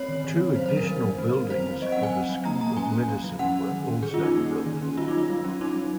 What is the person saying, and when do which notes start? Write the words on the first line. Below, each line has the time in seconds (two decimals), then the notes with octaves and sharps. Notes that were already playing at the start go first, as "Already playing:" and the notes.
Two additional buildings for the school of medicine were also built.
Already playing: C4 C#5
0.08 D#3
0.24 D#3
0.40 C4
0.56 F#3 C5
0.66 C5
0.71 D#3
0.77 A#4
0.87 F#3 A#4
1.03 D#3
1.18 C4
1.35 F#3
1.50 C4 C5
1.66 F#3
1.81 F#3 D#5
1.92 F#5
1.98 C4
2.03 G#5
2.13 C4
2.29 F#3
2.45 A#3 A#5
2.61 A#3 A#5
2.76 C#4 G#5
2.93 C#4
3.08 F#3
3.24 F#3
3.39 C#4 F#5
3.56 F#3
3.71 D#3
3.87 C#4
4.03 D#3 G#4
4.14 C#4 F4
4.23 D#4
4.35 A#3
4.50 C#4
4.66 D#3
4.82 C#4
4.97 F#3 F4
5.08 D#4
5.13 F#3 F4
5.29 F#3
5.44 C#4
5.61 C#4 D#4
5.76 F#3